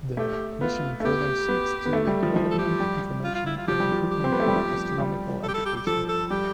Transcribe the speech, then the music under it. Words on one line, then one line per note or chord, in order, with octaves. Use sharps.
The Commission further seeks to development, information or improvement of astronomical education.
A3 G4
B3 F4
A3
B3 G4
B3
B3
A3
G3
F3
F3
A4
G4
G3
F4
F4
E4
F4
F3 G4
G3
F3
G4
C4
B3
A3
G3
F3
G3
A4
G4
A4
G4
G4
F3 A4
A4
G3 G4